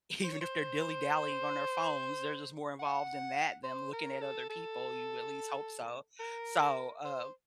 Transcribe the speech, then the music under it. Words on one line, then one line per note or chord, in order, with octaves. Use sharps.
even if they're dilly dallying on their phones, they're just more involved in that than looking at other people, you at least hope so. So, uh,
C5
C#5
C5
F#5
C5
A#4
A4
A4
A#4
C5